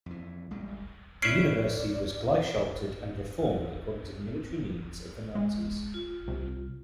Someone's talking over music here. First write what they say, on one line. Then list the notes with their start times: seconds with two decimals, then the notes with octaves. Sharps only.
The university was gleichschalted and reformed according to military needs of the Nazis.
0.06 F2 E3
0.51 A1 G3 G#3
1.22 C#4 B4 D5 E5 C7 D7
5.35 G#3
5.94 F4
6.28 C2